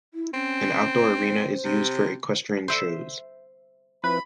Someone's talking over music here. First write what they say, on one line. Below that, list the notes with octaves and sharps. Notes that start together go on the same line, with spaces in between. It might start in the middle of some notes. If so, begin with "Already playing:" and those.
An outdoor arena is used for equestrian shows.
E4
C4 C#4
C5
C3
C5 E5
F3 C4 E4 B4 B5